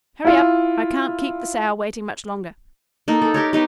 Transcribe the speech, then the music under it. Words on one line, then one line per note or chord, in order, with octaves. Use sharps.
Hurry up, I can't keep the sow waiting much longer.
E4 F4
A#3 D#4 A4
A4 B5
G4 A#4 C#5
B3 D#4 G4